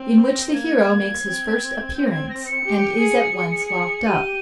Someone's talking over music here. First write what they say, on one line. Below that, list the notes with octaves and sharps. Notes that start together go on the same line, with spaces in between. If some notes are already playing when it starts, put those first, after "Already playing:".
In which the Hero makes his first Appearance & is at Once locked up.
Already playing: C4
A#6
A#3 G#6
C4
C4 G6
A#6
G#6
A#6
C#7
G4
G#4
G#4
G4 D#7